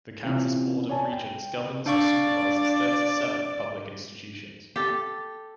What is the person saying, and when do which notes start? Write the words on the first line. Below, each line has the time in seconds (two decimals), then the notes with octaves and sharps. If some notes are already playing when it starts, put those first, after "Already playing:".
The Kansas Board of Regents governs or supervises thirty-seven public institutions.
0.24 C3 E3 C#4 F4
0.89 C#5 D5 G#5 A5
1.12 G5
1.86 D4 D5 F5 C#6
4.76 G4 A4